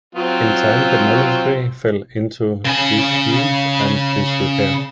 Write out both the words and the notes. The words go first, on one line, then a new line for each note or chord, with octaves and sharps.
In time the monastery fell into disuse and disrepair.
F#3 C4 F4
C#3 G#5